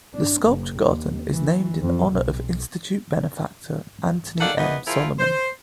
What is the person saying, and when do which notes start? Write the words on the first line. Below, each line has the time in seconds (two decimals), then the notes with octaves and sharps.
The sculpture garden is named in honor of Institute benefactor Anthony M. Solomon.
0.14 D4
0.43 F#1
0.81 D#2
1.30 E3
1.81 F2
2.10 B1
4.40 D#3 A4 D5 F5 F#5
4.57 E2 A#2 B3 D#5
4.87 F3 E4 F4 G#4 A#4
5.19 C5